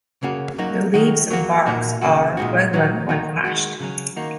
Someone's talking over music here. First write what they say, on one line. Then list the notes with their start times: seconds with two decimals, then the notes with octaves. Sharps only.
The leaves and bark are fragrant when crushed.
0.23 C#3 A#3 C#4 F#4
0.58 F#3 A#3 D#4 F#4
0.94 D#3 F#3 D#4 F#4
1.30 F#3 A#3 F#4
1.66 A#2 A#3 D#4 F#4
2.01 C#3 A#3 F#4
2.37 A#2 G#3 D#4 F#4
2.73 A#2 F#3 D#4 F#4
3.09 D#3 A#3 D#4 F#4
3.44 D#3 G#3 F#4
3.80 C#3 F#3 C#4
4.16 D#3 A#3 D#4 F#4